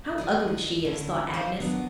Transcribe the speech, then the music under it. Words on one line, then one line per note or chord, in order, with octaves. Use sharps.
"How ugly she is!" thought Agnes.
D#3 D5 D#5
D3 C#4 E4
C5 D5 F5
D#3 F#3 B3 D4